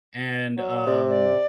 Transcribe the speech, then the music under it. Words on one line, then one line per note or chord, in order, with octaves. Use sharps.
and, um,
F#3
C3 D5
D5